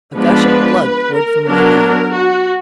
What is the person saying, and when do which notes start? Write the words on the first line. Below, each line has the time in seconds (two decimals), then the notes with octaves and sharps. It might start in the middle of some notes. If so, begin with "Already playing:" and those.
A gush of blood poured from my hand.
0.16 F3 G#3 B3 D4 B4
1.14 A#4
1.46 F#3 B3 D4 A#4
2.13 F#4